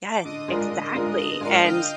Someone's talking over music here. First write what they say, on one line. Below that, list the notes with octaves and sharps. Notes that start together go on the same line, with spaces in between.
yes, exactly, and
D6
D3 D#5 D#6
G#3 D4 F4 A#4
D3
G#3 D4 F4 A#4
D3 D#5 D#6
G#3 D4 F4 A#4 F5 F6
D3 G5 G6